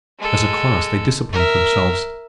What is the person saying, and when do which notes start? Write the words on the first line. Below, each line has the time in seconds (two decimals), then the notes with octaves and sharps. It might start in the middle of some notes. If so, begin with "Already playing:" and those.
As a class, they disciplined themselves.
0.19 G#3 A4
1.33 A#4 E5